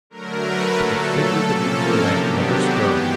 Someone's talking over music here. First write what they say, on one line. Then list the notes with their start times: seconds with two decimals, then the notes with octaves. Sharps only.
But the figure beneath the lamp never stirred.
0.10 D3 F#3 A3 A#4
0.44 B4
0.77 A#2 F#3 A3 A4
1.43 C3 F3 A#3 C#4 A4
1.76 A#4
2.08 C3 D#3 F#3 B3 D4 G4
2.42 F#4
2.74 G2 E3 G#3 B3 G4